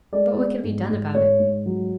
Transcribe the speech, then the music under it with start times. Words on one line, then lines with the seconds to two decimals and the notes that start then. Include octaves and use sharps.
But what can be done about it?
0.13 G#3 D5
0.38 B3
0.63 G#2
0.89 G#2
1.15 G#2 C#5
1.39 G#2
1.66 F#3